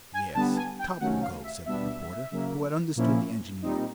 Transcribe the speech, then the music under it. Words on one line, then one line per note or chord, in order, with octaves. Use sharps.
"Yes, Top will go," said the reporter, who had understood the engineer.
G#5
D3 G3 B3 A5
G#5
G5
C3 D#3 F#3 A3 C#4 F#5
F5
E5
B2 G3 B3 D4 E5
C#3 F#3 A#3
A#2 F3 A#3 C#4 E4
A#2 G3 C4 D#4